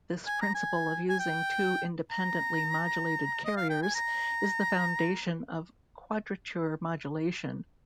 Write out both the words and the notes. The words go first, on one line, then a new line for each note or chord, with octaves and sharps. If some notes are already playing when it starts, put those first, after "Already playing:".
This principle of using two independently modulated carriers is the foundation of quadrature modulation.
G#5
A#5
G#5
G#5
G5
A#5
D#5
F5
G5
G#5
A#5